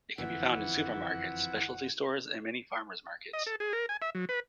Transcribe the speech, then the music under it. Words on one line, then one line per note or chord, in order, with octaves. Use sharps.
It can be found in supermarkets, specialty stores and many farmers' markets.
F#1 F2 D3 E3 E4 F#5
D#5
A4
G#4
A#4
G#5
E5
F#3
B4